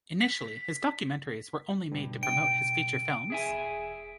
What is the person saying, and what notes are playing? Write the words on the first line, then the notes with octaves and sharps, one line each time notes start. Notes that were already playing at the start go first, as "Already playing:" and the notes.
Initially, his documentaries were only made to promote his feature films.
B6
G2 B2
G5 D7
G#4 E5 G#5
E1